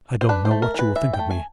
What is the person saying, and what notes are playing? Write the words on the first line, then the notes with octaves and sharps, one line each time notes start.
I don't know what you will think of me.
C5
D4 B4
C5
A3
A#4
E3 B4
E3 E5
G5
A3
G#5